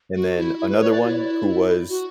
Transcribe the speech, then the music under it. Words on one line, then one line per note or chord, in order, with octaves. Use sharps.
and then another one, who was
F#4
E4
E4
B4
C#5
D5
F#4
E4
F#4